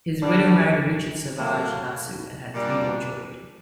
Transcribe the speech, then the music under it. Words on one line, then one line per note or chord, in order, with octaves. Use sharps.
His widow married Richard Savage Nassau and had three more children.
G2 D3 G3 D4
A2 F#3 A#3
A#2 G3 D4